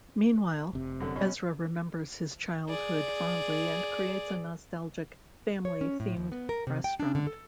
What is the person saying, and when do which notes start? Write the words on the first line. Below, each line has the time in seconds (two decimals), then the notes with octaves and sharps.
Meanwhile, Ezra remembers his childhood fondly and creates a nostalgic family-themed restaurant.
0.73 F1 C3
1.00 F#2 D3
1.16 B2 C#4
2.69 G#4 D5
5.65 C#5
5.81 C#4
6.00 A2
6.17 D#2
6.32 B3
6.49 A#4
6.67 C3
6.84 G5
7.00 D4
7.15 D3
7.27 A4